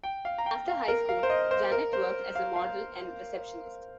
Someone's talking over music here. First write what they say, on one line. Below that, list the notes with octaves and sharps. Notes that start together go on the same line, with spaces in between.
After high school, Janet worked as a model and receptionist.
G5
F5
A#5
G5
F5
A#4
F5
C5
D#5
C5
A#4
C5
F5
F5